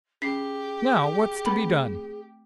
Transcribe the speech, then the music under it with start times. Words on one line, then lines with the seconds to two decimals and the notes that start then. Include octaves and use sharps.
"Now, what's to be done?"
0.22 C#4 G4 G#4 B6 C7
1.46 A3 C4 B4 B5